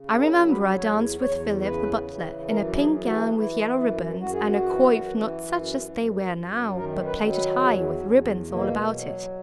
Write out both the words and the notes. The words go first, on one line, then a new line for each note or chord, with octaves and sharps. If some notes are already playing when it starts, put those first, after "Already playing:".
I remember I danced with Philip, the butler, in a pink gown, with yellow ribbons, and a coif, not such as they wear now, but plaited high, with ribbons all about it.
Already playing: C#3
A#4
F#3
B4
E2 C#5
E2 C#5
C#3 B4
E3
F#2 A#4
G#4
E3
F#4
G#4
F#4
E3 E4
F#2 E4
F#2 F#4
G#4
F#4
E3
E3
F#2
F#2
F#2
D#3 A#4
B4
F#3
B4
E2 G#4
E4
E2 C#4
B3
B2 A#3
F#3